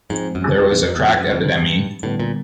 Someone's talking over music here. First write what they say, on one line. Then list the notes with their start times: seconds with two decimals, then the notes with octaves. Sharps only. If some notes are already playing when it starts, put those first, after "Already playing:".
There was a crack epidemy.
0.10 G#2 F3 G#3 C4
0.35 F#2
0.59 F2
0.71 E2
0.82 F2
0.95 E2
1.08 F2
1.19 F#2
1.31 F2
1.44 G2
2.03 A2 D3 G3 B3
2.20 A#2